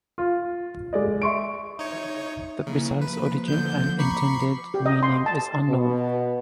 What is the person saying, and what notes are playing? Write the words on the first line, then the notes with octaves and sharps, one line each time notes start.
The precise origin and intended meaning is unknown.
F4
G#3 D5 D#5
E5 C6 C#6 D7
D#4 C#5 E5
C#3 E3 A#3
F3 B4
D3 G6
A#5 B5 C#6 D6 C7
G4
D#5
C6
A5
B2